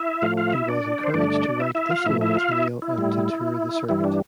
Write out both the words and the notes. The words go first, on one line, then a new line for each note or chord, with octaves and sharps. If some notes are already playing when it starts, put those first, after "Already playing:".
He was encouraged to write additional material and to tour the circuit.
Already playing: E4 E5
A2 F3 A3 F4 F5
F4 F5
E4 E5
D4 D5
C5
G2 D3 A3 D4 D5
E4 E5
E4 E5
F4 F5
A2 F3 A3 E4 E5
E4 E5
F4 F5
E4 E5
E4
A2 G3
G2 E3 G3 E4
D4